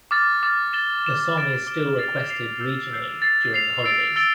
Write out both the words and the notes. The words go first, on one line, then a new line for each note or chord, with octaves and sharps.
The song is still requested regionally during the holidays.
D6 F6 A6
D6 F6 A6
A6 E7 G7
A6 E7 G7
D6 A6 D7 G7
D6 A6 D7 G7
A6 C7 F7
A6 C7 F7
E6 G6 C7
E6 G6 C7
A6 C7 F7
A6 C7 F7
E6 A6 D7 G7
E6 A6 D7 G7